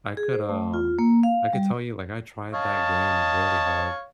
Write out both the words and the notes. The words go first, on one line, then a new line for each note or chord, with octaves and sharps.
I could, um, I could tell you, like, I tried that game really hard.
G#4
C5
A3
F4
A#3
F5
G3
C#5 D#5 F5 A5